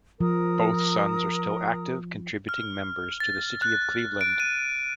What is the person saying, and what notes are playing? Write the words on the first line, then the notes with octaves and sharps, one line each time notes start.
Both sons are still active contributing members to the city of Cleveland.
F3 A#4 A#5 D#6
F6
A6
F#6
D7
D#7